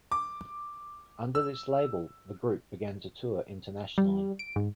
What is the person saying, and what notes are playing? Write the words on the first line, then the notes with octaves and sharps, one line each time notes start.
Under this label the group began to tour internationally.
D6
E6
G3
D7
G#2